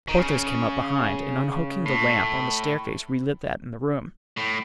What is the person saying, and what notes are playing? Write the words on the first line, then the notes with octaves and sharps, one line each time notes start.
Porthos came up behind, and unhooking the lamp on the staircase relit that in the room.
D#3
C#3
A2
A2